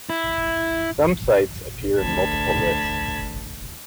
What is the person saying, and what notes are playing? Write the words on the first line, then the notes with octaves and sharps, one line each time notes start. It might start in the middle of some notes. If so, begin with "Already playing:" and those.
Some sites appear in multiple lists.
E4
D2 A5 B5 G#6